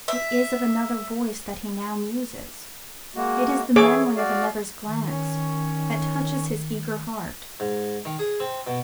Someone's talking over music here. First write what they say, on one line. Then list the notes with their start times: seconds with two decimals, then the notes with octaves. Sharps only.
It is of another voice that he now muses; it is the memory of another's glance that touches his eager heart.
0.08 E5
3.15 G#3 A#3 F#4
3.76 E3 G#4 A4 C#5 D6
4.17 F#4 D5 F5
4.85 D#3
5.08 C#4 C#5
7.60 G#2
8.05 D#3
8.19 G#4
8.40 C4
8.67 B2